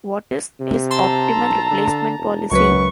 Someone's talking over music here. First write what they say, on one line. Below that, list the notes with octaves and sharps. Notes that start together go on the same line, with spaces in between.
What is his optimal replacement policy?
C3
A5 A#5 C6 E6 A6
B1
D3
E1
C#2 F#2 F#3 B4 C#6